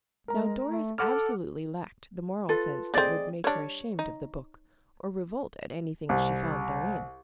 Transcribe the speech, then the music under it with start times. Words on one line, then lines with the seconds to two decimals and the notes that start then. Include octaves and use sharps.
Now, Doris absolutely lacked the moral sense that would make her ashamed of the book, or revolt at anything she found therein.
0.28 G#3 A#4 A#5
0.63 A3
0.99 A4 F#5 D6 F6
2.49 F4 A4 B4
2.94 A3 C4 G#4 D5 D#5
3.44 G3 D4 C#5
3.99 D#4
6.09 C2